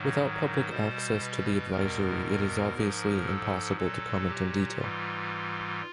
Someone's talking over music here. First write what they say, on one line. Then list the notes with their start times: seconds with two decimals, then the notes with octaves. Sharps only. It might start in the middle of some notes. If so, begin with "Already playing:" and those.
Without public access to the advisory, it is obviously impossible to comment in detail.
Already playing: G#2 D#3 F#3
0.70 B2 G3 C5
1.21 B4
1.71 E2 B2 G3 A#4
2.74 G#2 F3
3.26 A4
3.77 A#2 F#3 A4
4.28 G4
4.79 G#2 E3 G3 F4